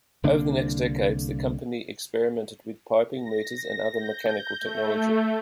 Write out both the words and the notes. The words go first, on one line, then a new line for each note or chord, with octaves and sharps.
Over the next decades the company experimented with piping, meters, and other mechanical technology.
C2 D3 A#3 D4
A#6
G6
A3